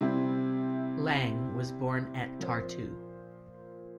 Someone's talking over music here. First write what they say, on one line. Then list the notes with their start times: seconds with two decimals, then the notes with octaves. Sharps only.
Lang was born at Tartu.
0.01 C3 G3 C4 E4
2.39 A#2 F3 A#3 F4 C5